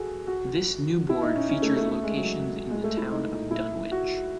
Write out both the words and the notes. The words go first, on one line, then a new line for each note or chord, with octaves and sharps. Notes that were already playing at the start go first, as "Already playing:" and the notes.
This new board features locations in the town of Dunwich.
Already playing: F#4 G#4 A4
F#4
E4
D#4
C#4
C#4
A3
A3
A3
G#3
F#3
G#3
A3
E4
D#4
E4
F#4